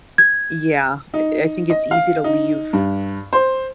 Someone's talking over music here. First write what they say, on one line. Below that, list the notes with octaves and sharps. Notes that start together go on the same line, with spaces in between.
Yeah, eh I think it's easy to leave
G#6
D#4
D#5
F5
D#4
G2
C5